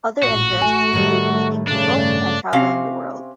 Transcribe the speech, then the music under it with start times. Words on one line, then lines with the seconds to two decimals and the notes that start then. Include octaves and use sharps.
Other interests include meeting people, and travelling the world.
0.23 A1 A#2 F#4
0.61 A3 G#5
0.93 A2 D#3 G3
1.67 G2 C#3 A3 D4
2.53 C3 C4 C#4 F5